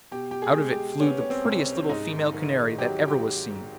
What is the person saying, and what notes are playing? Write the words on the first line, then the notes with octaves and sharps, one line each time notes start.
Out of it flew the prettiest little female canary that ever was seen.
B2 G4
G4
G#4
G#3
G4
B3 C#4
C#4
C4
C2
C#4
G#2 D#4
D#3
F#3 G4
G4